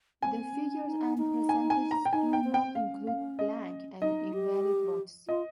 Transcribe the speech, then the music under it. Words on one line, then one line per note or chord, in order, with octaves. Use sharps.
The figures and percentages do not include blank and invalid votes.
C4 G#5
C#4
D#4
D#4
G#5
G#5
A#5
G5
D#4 G#5
G5
C4
G5
C#4 F5
F5
D#5
D#4 D#5
G4
F4 D#5